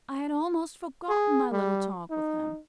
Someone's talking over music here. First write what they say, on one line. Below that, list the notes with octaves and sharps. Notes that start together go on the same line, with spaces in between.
I had almost forgotten my little talk with him.
G#4
G3
D#4